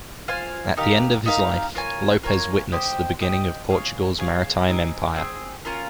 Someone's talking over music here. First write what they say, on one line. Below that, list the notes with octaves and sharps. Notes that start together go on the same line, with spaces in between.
At the end of his life, Lopes witnessed the beginning of Portugal's maritime empire.
F4 C5 F5 G#5
D#4 G4 A#4 F5
D#4 G4 A#4 F5
F4 A#4 C#5 G#5
F4 A#4 C#5 G#5
G4 C5 D#5 G5
G4 C5 D#5 G5
G#4 C#5 F5
G#4 C#5 F5
C4 D#4 G#4
C4 D#4 G#4
C#4 F4 A#4